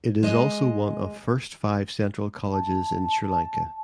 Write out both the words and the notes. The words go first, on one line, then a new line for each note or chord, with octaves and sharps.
It is also one of First five Central Colleges in Sri Lanka.
G#3 D#5
A5